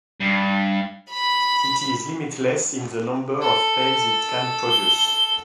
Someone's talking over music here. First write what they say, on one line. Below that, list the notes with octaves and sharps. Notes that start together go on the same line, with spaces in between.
It is limitless in the number of pegs it can produce.
G2
B5
A4
G7